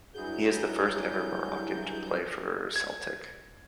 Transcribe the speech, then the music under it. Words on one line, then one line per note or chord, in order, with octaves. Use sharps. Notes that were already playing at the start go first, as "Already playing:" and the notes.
He is the first ever Moroccan to play for Celtic.
G2 F#3 E4 G#4 G6
G#6